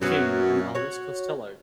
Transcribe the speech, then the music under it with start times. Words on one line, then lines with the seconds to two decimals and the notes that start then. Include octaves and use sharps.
King, and Elvis Costello.
0.02 F#2 F#3 B3 F#4 C#5
0.75 F#4 C#5